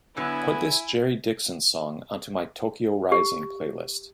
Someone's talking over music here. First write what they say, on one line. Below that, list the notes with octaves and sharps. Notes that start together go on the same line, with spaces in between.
Put this Jerry Dixon song onto my Tokyo Rising playlist.
D3 F#3 B3 E4 G#5
G4